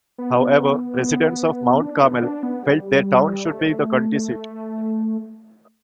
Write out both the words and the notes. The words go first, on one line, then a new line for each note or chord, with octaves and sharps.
However, residents of Mount Carmel felt their town should be the county seat.
B3
D4
B3
D4
B3
G3
A3